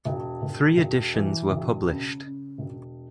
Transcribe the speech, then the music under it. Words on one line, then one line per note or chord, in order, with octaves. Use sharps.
Three editions were published.
E1
E1
E1
E3
E1
C#3
C#3
E1